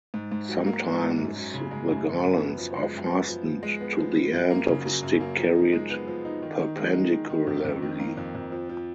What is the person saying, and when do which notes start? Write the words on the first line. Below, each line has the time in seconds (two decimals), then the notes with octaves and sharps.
Sometimes the garlands are fastened to the end of a stick carried perpendicularly.
0.14 G#2
0.32 G#2
0.49 F#3
0.66 A#3
0.84 G#2
1.01 G#2
1.18 F#2
1.36 F#2
1.54 C#3
1.71 G#3
1.89 F#2
2.06 F#2
2.23 F#2
2.41 B3
2.58 F3
2.76 G#3
2.94 F#2
3.11 B3
3.28 F3
3.46 F3
3.63 G#3
3.81 B3
3.98 F3
4.15 F3
4.33 F#2
4.50 A#3
4.68 C#3
4.86 F#3
5.03 F#2
5.20 A#3
5.38 F3
5.55 D#4
5.73 G#3
5.90 B3
6.08 F3
6.25 D#4
6.42 D#3
6.60 D#3
6.77 G#3
6.94 D#4
7.12 D#3
7.29 D#3
7.47 F2
7.65 F2
7.82 D#3
7.99 A#3
8.17 F2
8.35 F2
8.52 F3
8.69 F3